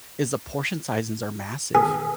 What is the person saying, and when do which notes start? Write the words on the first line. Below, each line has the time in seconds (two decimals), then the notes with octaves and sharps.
is the portion sizes are massive,
1.75 G#4